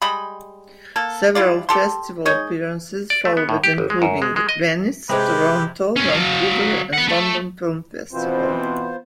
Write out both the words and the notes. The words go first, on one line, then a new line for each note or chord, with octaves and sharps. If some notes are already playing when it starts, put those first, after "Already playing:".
Several festival appearances followed including Venice, Toronto, Vancouver, and London Film Festival.
G3 G#3 D#5 B5
A#3 A4
G3 E4 F4 D5
G4 A4 C6
G#3 D#4 C#5 D#5
D5
A3
B3
A2
G4
G1
G#3
F#2
G#3
G#3
D#5
C3 G#3 G4 B4
G2 C#4
F#3 F5
B4 F#5
A3
B2 E3 B3 C4 F4 C5